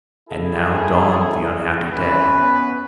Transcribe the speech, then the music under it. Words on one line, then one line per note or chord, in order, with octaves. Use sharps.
And now dawned the unhappy day.
E4 G#4 A4
C2 E3 C#4 B4
B3